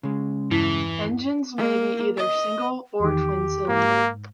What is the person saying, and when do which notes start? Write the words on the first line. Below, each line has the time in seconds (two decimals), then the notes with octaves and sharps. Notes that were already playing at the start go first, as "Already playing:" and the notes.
Engines may be either single or twin cylinder.
0.03 C#3 G#3
0.51 E2 G2 E3 E4 B6 G7
1.57 A#3
2.17 D#5
3.00 E2 D#3 G4
3.69 G#2 A#3